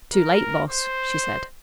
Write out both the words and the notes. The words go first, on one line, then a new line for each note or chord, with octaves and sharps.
"Too late, Boss," she said.
A#4
C5